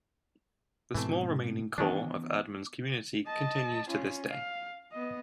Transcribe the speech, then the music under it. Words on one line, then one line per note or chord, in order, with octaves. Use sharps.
The small remaining core of Erdman's community continues to this day.
G#2 B2 E3 A3 C4
D#3 E3 B3 C#4 D4
D#5 A5
C#4 F4
F5
B3 D#5